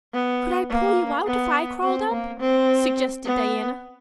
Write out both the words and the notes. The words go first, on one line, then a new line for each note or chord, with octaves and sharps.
"Could I pull you out if I crawled up?" suggested Diana.
B3
A#3
B3
C4
A#3
C4
B3